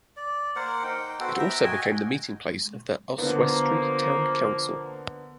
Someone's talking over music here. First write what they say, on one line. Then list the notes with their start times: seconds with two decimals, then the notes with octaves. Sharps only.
It also became the meeting place of Oswestry Town Council.
0.17 D5
0.56 A#3 A#4 C5 F#5
0.84 D#4 G5
1.20 B3 F#4 A4 C5
1.40 E5 G5 A#5
1.64 F#4 D#5 G5 G#5
3.18 D3 F3 A#3 B3